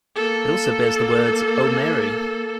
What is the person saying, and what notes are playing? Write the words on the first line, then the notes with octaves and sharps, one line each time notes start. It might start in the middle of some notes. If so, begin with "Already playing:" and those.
It also bears the words, O Mary!
A#3 A4